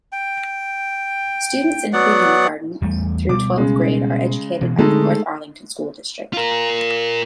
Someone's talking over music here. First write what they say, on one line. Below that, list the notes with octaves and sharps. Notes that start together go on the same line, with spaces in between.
Students in pre-kindergarten through twelfth grade are educated by the North Arlington School District.
G5
F#3 B3 D5 F#5
E2 G3 A3
B2 G3 D6
C#3 G#3
B2 E3
D3 G#3 A3 C4 D#4
F4 A#4